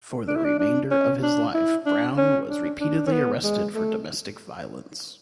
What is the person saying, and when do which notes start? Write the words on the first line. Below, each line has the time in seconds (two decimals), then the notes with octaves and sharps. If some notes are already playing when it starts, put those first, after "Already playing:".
For the remainder of his life, Brown was repeatedly arrested for domestic violence.
0.28 D4
0.36 E4
0.45 D4
0.59 D4
0.91 C#4
1.23 D4
1.54 E4
1.86 D4
2.17 C#4
2.49 D4
2.80 D4
3.07 C#4
3.12 B3
3.44 G#3
3.75 A3